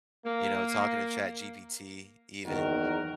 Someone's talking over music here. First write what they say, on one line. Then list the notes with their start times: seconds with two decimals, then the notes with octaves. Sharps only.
you know, talking to ChatGPT even,
0.25 A#3
2.46 F#1 E2 D#3 F#4 A#4